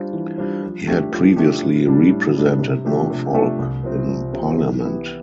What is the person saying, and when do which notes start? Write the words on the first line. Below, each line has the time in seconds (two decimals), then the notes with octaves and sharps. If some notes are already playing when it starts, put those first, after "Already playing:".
He had previously represented Norfolk in Parliament.
Already playing: G3 D4 F4 C5
0.13 E3
0.38 G3 D4 F4 C5
0.63 F3
0.87 A3 D4 G4
1.12 F3
1.36 A3 D4 G4
1.62 A2
1.87 G3 D4
2.11 A2
2.36 G3 D4
2.60 C3
2.85 F3 A3 D4 G4
3.10 C3
3.34 F3 A3 D4 G4
3.59 C2
3.83 C3 F3 C4
4.08 C2
4.33 C3 F3 C4
4.57 E3
4.82 B3 E4 G4